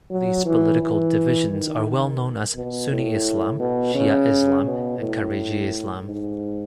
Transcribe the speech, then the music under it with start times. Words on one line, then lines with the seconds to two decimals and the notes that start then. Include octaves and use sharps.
These political divisions are well known as Sunni Islam, Shia Islam and Khariji Islam.
0.11 F#3
0.46 E3
0.81 E3
1.50 D#3
2.55 B2
2.90 A2
3.60 B2
3.95 C#3
4.65 B2
4.99 A2
6.04 G#2